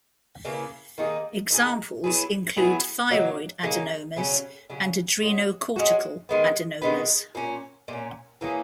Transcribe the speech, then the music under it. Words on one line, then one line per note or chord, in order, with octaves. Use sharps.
Examples include thyroid adenomas and adrenocortical adenomas.
C#3 E3 A#3
D#3 A#3 D#4 G#4
D#3 A#3 D#4 G#4
F#3 B3 E4 G#4
F#3 B3 E4 G#4
C#3 F#3 A#3 D#4
C#3 F#3 A#3 D#4
C#3 F#3 C#4
C#3 F#3 C#4
G#3 C#4 F#4
G#3 C#4 F#4
D#3 G#3 B3
D#3 G#3 B3
A#2 A#3 C#4
A#2 A#3 C#4
E3 A#3 C#4 G#4